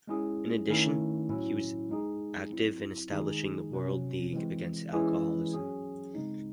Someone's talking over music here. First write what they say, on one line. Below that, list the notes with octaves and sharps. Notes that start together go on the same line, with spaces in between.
In addition, he was active in establishing the World League Against Alcoholism.
G#3 C#4 E4 G#4
D#3 A3 C#4 E4
A2 F#3 C#4 E4
G#3 D#4 G#4
F#3 C4 E4
D#3 G#3 D#4 G#4
C3 F#3 C#4
E3 G#3 C4
E3 G#3 C#4 G#4
F#3 C#4 G#4
C#3 G#3 C4 D#4